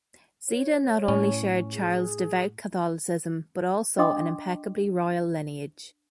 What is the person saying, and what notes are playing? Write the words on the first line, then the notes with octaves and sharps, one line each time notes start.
Zita not only shared Charles' devout Catholicism, but also an impeccably royal lineage.
C#5
A2 C#4
G#4
D4 D#5 G5 C6 D6 D#6